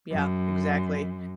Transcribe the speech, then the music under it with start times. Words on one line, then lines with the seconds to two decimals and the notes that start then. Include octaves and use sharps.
Yeah, exactly.
0.11 F#2